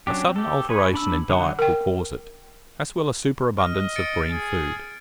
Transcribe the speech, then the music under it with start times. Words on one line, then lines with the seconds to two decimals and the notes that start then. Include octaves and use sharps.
A sudden alteration in diet will cause it, as will a superabundance of green food.
0.07 F#3 C#4 D4 G4
0.23 C4
0.36 G4 A4
0.69 G#4 B4 C#5
0.94 D4 B5 E6
1.29 D3 F#3 D#4 F#5
1.59 A#4 G5
3.58 D#5 F6
3.96 A6 C#7 D7
4.30 G#4